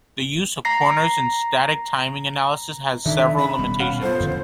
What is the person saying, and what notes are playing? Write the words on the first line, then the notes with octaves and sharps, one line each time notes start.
The use of corners in static timing analysis has several limitations.
A#5 A#6 C7
D#3 D4 D#4 A4 E5
C#4 B5
D#1 B2 G3
C#4 F5 F#5
B3 F4 A4 C5
F2 D3 F3